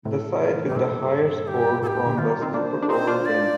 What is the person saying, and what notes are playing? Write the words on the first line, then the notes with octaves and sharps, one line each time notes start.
The side with the higher score from their Super Over wins.
A2 C3 A4
A#4
G4
C3
G2 A#2 A4
G4
A2 C3 G4 A4
A2
A#2 D3
C3 D#3 F4
G3 A#3
C4 D#4
A#3 D4 C5 D5
D4
C4 D#4 C5
D4 F4
D5